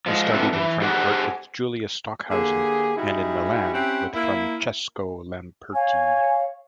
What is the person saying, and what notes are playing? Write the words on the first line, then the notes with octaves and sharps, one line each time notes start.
He studied in Frankfurt with Julius Stockhausen, and in Milan with Francesco Lamperti.
F3 G#3
C4 D4 F4 A4 B4 E5
E3
G4 G#4 C5 F#5
D3 A#3 G4 G#4
G3 D#4 E4 F#4 G#4
C4 C#4 E4 G4 F#5
A#3 E4
C#5 F5 G#5